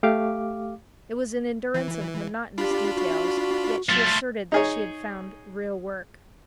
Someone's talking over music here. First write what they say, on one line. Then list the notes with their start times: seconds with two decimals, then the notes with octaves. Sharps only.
It was an endurance of monotonous details, yet she asserted that she had found "real work."
0.03 A3 G4 F5 D6
1.74 E3
2.58 D4 F4 G4 B5
2.94 F#4
3.89 F#3 A3 F4
4.52 D#4 G#4 C#5